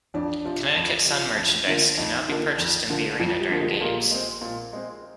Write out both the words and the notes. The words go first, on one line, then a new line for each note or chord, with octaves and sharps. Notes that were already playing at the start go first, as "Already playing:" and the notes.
Connecticut Sun merchandise can now be purchased in the Arena during games.
F2 D4
C3 F3
F2
C3 F3
F2
D3 F3 A#3
F2 D#4
D3 F3 A#3
F2
D3 F3 A#3
F2 F3 F4
G3 G4
D3 F3 A#3
G#3 G#4
A#2 A#3 A#4
G#3 C4
A#2
G#3 C4